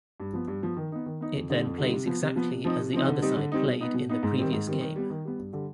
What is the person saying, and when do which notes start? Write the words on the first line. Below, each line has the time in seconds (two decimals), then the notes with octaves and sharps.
It then plays exactly as the other side played in the previous game.
0.20 G2
0.33 F3 B3
0.48 G2
0.62 F3 B3
0.77 D#3
0.92 B3 D#4
1.06 D#3
1.21 B3 D#4
1.35 F2
1.50 D3 G3 C4 D#4
1.64 F2
1.78 D3 G3 C4 D#4
1.93 C3
2.06 F3 B3
2.22 C3
2.36 F3 B3
2.51 C3
2.65 F3 C4 D#4
2.79 C3
2.93 F3 C4 D#4
3.08 D3
3.22 G3 C4 D#4
3.37 D3
3.52 G3 C4 D#4
3.65 B2
3.81 B3 D#4
3.94 B2
4.09 B3 D#4
4.23 G#2
4.38 D#3 G3 C4
4.53 G#2
4.67 D#3 G3 C4
4.81 D#3
4.96 G3 B3
5.10 D#3
5.25 G3 B3
5.39 G2
5.53 D3 G3